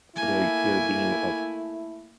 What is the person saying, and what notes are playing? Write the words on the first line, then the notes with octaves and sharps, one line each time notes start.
They're they're being, like,
A3 A#3 E4 G#5